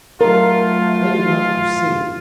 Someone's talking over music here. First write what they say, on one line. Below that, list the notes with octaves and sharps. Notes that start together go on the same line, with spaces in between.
They did not foresee....
F#3 A3 F4 A#4